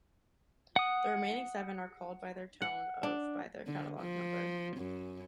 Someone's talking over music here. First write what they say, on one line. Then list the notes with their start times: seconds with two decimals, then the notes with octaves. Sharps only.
The remaining seven are called by their tone of by their catalog number.
0.76 F#5 D#6
2.62 F#5
3.03 D4
3.66 D3
4.00 F3
4.77 F#2